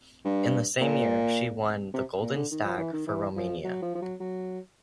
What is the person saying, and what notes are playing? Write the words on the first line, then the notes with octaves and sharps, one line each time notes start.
In the same year, she won the "Golden Stag" for Romania.
G2
A#2
C3
A#2
D3
D#3
F3
E3
D#3
E3
F3
F#3
F3
F3
F#3
F#3